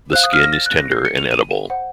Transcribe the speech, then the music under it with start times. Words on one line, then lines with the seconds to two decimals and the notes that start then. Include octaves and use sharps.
The skin is tender and edible.
0.13 C5 F5 F#6
0.23 D#6
0.33 F6
0.43 A#6
0.53 A6
0.66 F#6
0.78 A#6
0.91 C7
1.05 C#7
1.18 F7
1.31 D#7
1.70 C5 F#5